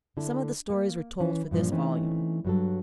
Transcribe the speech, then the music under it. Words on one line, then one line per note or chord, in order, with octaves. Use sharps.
Some of the stories were told for this volume.
D3 E4 A4
A#3
E3 C#4
G2 A#2 F3
E3 A3 C4 C#4 D#4
G2 F#3 A4